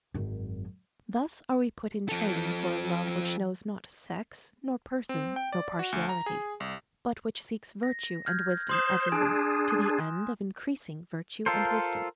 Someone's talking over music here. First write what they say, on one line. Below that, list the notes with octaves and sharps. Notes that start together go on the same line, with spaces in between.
Thus are we put in training for a love which knows not sex, nor person, nor partiality, but which seeks virtue and wisdom everywhere, to the end of increasing virtue and wisdom.
G#1 F#2
F3 A4
C4
G5
D5
F#4
D2
A#5
G#4
C2
A#6
F6 G6 G#6
C5 C6 D#6 E7
D4 G#4 G#5 F#6
F4 A4 A#4 C5